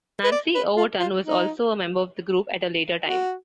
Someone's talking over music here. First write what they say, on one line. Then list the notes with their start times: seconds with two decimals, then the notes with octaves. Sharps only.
Nancy Overton also was a member of the group at a later time.
0.24 B4
0.32 D5
0.55 B4
0.77 F4
1.00 F4
1.24 D#4
3.06 F#4